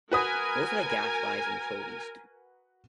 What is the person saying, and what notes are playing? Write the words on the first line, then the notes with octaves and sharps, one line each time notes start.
Most of the gas lies in Troll East.
F#4 A#4 B4 G#5 D#6